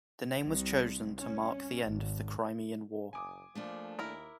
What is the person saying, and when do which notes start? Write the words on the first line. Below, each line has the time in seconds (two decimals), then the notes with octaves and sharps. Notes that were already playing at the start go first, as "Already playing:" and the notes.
The name was chosen to mark the end of the Crimean War.
0.46 C2
1.20 C#4
1.87 G#1
3.13 F#1 G#5 D6 D#6
3.55 F3 A3 A#3 D4
3.99 D#2 E4 A#4